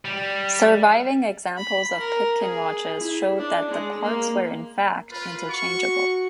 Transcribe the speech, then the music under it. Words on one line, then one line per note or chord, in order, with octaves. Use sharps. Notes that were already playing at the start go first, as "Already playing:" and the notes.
Surviving examples of Pitkin watches showed that the parts were, in fact, interchangeable.
G3
B5
A#4
G#4
E4
D4
G#3
A#3
F4 B4
F#4 C#6